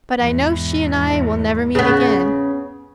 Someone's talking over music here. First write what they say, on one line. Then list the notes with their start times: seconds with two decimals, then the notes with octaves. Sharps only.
But I know she and I will never meet again.
0.15 E2 G#2
1.75 C#3 B3